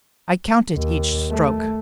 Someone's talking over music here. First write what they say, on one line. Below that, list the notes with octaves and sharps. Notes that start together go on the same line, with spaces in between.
I counted each stroke.
D#2
A3